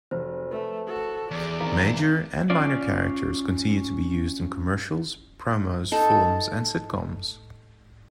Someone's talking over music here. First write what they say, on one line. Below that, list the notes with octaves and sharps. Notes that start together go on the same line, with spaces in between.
Major and minor characters continue to be used in commercials, promos, films and sitcoms.
F1 F#3 C5
A3 B4
F#4 A4
E2 G#4 D5
D#3 C4 F5 A#5
C#4 F4 D5
D#4 A4